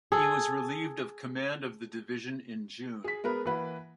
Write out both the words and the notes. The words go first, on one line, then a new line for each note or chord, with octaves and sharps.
He was relieved of command of the division in June.
G#4 A4
G#4 B6
G#3 B3 A#4 B4
E3 A#3 B4 F#5